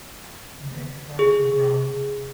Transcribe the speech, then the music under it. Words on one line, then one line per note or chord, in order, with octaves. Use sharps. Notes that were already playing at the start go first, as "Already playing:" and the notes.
Neck dark brown.
G#4